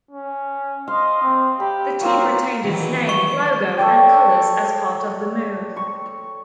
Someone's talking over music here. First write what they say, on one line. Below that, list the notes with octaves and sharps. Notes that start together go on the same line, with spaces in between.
The team retained its name, logo and colors as part of the move.
C#4
C5 D#5 F5 C6
C4
G4 B5
F#3 A#3 C4 F4
D#3 E3 F#3
C#6
A4 C#5 D5 G5
C#6